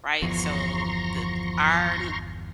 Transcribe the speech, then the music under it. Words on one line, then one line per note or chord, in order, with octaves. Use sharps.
right? So the our n
G1 E2 F3 A#5 C6 C#6